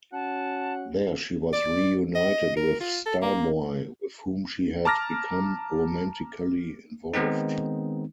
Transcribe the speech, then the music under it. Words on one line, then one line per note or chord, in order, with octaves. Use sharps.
There she was reunited with Star Boy, with whom she had become romantically involved.
C#4 F#4 F#5 A5
D5
D#5
A#4
F4
A4
A#3
A5 A#5 D6 F6 A6 A#6
D#3 G#3 B3 C4 D#4